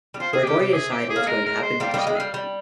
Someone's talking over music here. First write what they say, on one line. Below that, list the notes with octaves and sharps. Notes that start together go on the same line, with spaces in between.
We're going to decide what's going to happen with this land.
G3
F3 C5
D#3 G#4
C#3 G4
C3 G4
G#4
G4
G#4
A#3
G#3 A#4
A#4
C5
G3 A#3 C5
G3 A#3 D#5
G#3
G3 F5
G3